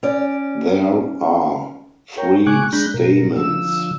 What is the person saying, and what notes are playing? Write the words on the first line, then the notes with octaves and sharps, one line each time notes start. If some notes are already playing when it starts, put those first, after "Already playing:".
There are three stamens.
C#4 D5
A#4 C#5 G5
C#3 G#3 G#5 C#6 D6 F#6
G#3 D4 A#5 B5 F#6 G6
B2 A#4
D3 F3 E6